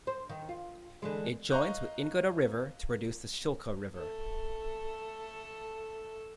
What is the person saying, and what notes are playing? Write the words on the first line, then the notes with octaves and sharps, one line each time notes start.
It joins with Ingoda River to produce the Shilka River.
C5
D#3
F4
D3 E3 G#3
D#5 F5 A#5 C#6 F#6 G6
A3 A4